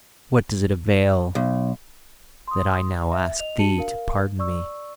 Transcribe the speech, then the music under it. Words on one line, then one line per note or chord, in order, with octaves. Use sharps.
What does it avail that I now ask thee to pardon me?
B1
C6 D#6
E5
D#5 F7
D4 F#4 A5 C#7 D#7 F#7
A#4 F5
D5 C#6 E6